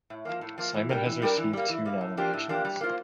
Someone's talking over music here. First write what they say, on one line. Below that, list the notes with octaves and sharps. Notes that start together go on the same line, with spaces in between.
Simon has received two nominations.
A2
F3 A#3
A2
F3 A#3
E3
G3 D4 G4 A#4
E3
G3 D4 G4 A#4
E3
G3 A#3
E3
G3 A#3
A2
F3 A#3 D4 G4
A2
F3 A#3 D4 G4
G3
A#3 F4 C5